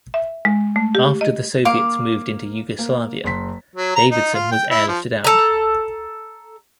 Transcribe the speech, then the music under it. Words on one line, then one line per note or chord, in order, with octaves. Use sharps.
After the Soviets moved into Yugoslavia, Davidson was airlifted out.
E5
G#3
A3
G4
D#5
A#3 F5 D6
A#3
F#1 C6 B6
F#3
A#5
D#4
F4
G5
E4
F3
A4 A#5